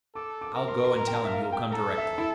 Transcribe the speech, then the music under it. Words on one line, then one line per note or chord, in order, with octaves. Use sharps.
"I'll go and tell him you will come directly."
A4 D6
D6
A#4
C6
C6
A#5
G5
A5
E5
F5
G5
A4 A#5
E5
E4